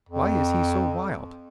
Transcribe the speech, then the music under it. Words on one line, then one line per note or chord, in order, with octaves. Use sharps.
"Why is he so wild?"
F2